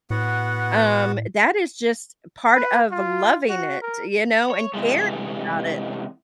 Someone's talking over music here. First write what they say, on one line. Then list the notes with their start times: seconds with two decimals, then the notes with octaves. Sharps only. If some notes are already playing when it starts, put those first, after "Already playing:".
um, that is just part of loving it, you know? And caring about it,
0.10 A2 B3 F#4 F#5
2.55 B4
2.91 F4
3.49 F#4
3.81 A#4
4.50 C#5
4.74 C3 E3 G#3 A3